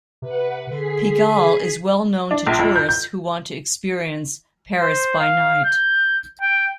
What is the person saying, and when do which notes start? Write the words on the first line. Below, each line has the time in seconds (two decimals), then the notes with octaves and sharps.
Pigalle is well known to tourists who want to experience "Paris by night".
0.22 C3 B4 F#5
0.71 D3 G#4 B6 C7
2.31 D4
2.47 A#1
2.59 F2
2.76 G6
2.89 G6
4.81 C5
5.19 F5
5.65 G6
6.41 G5